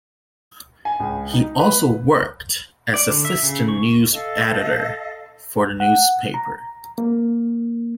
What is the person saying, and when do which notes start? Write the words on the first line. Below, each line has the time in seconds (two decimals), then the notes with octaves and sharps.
He also worked as assistant news editor for the newspaper.
0.85 G#5
1.00 C#2
1.33 D#4
1.60 B4
2.94 D5
3.11 D3
3.25 E5
3.42 C#3
3.68 C#6
4.11 A4 D#5 F5
5.80 F#5
6.34 A#5
6.98 A#3